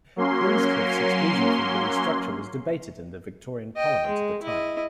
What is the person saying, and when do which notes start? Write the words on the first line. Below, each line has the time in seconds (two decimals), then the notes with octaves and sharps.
Queenscliffe's exclusion from the restructure was debated in the Victorian Parliament at the time.
0.16 F#3 A#3 C#4 C6
3.76 D#5 G5
4.06 G#3
4.43 E4 D#5